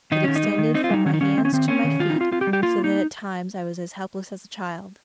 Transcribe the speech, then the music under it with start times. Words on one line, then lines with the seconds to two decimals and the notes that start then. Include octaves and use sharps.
It extended from my hands to my feet so that at times I was as helpless as a child.
0.12 D#3 D#4
0.24 D#3 C#4
0.36 D#4
0.43 G3
0.58 D#3
0.74 C4 D#4
0.84 F4
0.90 G3 D#4
1.06 D#3 C#4
1.14 D#4
1.21 D#3 C#4
1.37 D#3 C4
1.45 C#4
1.52 D#3 C4
1.68 C4 C#4
1.84 D#3
1.99 D#3 F4
2.10 C4 D#4
2.21 F4
2.31 C4 F4
2.41 G4
2.47 G3
2.53 G4
2.62 A#3 F4
2.78 A#3
2.84 D#4